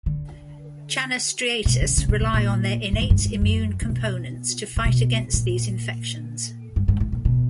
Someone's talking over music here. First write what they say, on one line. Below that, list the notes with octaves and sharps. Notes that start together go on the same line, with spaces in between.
Channa striatus rely on their innate immune components to fight against these infections.
D3
B2
C#3
C#3
C3
B2
A#2
A2
G#2
G2
G#2
F#2
C3
B2
A#2
B2
A#2
G2
G#2
A2
A#2
B2